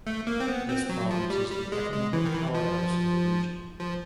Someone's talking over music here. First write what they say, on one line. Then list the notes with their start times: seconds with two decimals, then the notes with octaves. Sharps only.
This province is the economic powerhouse of the region.
0.07 A3
0.27 A#3
0.40 C4
0.48 B3
0.69 C4
0.90 F#3
1.11 F3
1.30 G3
1.52 G3
1.72 G#3
1.93 G#3
2.13 E3
2.25 D#3
2.34 E3
2.55 F3
3.80 F3